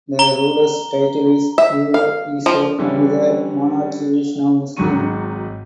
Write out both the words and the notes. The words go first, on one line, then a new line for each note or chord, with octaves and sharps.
The ruler's title is "Uro Eso" and the monarchy is now Muslim.
A#5 G7
E5
F5
F3
D3 E3 G3 C#4 D4
G#1 G#2 F#3 F#4 C#6 D#7